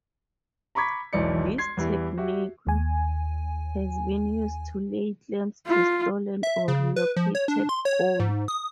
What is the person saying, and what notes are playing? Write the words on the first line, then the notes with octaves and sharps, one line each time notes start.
This technique has been used to lay claim to stolen or relocated gold.
A#5 B5 C#6 D6 G#6 B6
E1 B1 E3 D5 C#7
C6 G#6 C7
E2 E3 G3
F#4 G4 E5
D#2 G#5
F4
E5
C#3
B4
F3
C#5
D4
C6
C#5
G#2
D#6